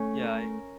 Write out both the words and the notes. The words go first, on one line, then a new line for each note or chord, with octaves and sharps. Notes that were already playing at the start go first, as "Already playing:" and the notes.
Yeah, I
Already playing: A3 C#4
A#4